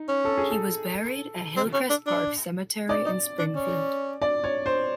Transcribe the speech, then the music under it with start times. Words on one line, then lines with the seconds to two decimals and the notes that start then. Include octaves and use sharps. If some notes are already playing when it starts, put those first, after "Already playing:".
He was buried at Hillcrest Park Cemetery in Springfield.
Already playing: D#4
0.08 C#4
0.25 A4
0.38 G#4
0.50 A4
1.57 C4
1.74 C#4
1.90 D4
2.07 D4
2.89 D#4 D5
3.06 D#4
3.39 D4
3.55 C#4
4.21 D5
4.44 C#5
4.66 C5